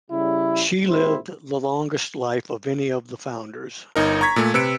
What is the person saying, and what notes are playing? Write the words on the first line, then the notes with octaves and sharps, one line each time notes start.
She lived the longest life of any of the founders.
C#3 G3 E4
G#1 A#2 G#3 E4 G4 C5
G1 D#4 A#4
A#5 C#6 G#6 B6
A#2 A3
C3 B4 E6 C#7 D7